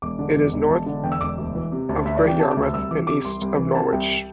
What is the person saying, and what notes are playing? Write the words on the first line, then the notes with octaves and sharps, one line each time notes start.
It is north of Great Yarmouth and east of Norwich.
E1 D6
D3
E2
E1
E1 A5
D3
E2 G5
E6
E1 D6
D2
E3
C3
D2
D2 E5
E3 D5
G5
C3 A5
D6
D2
E6
C2 E6
E3 D6
C3 D6
C2 C6
C2
E3
C3 A5
C2 G5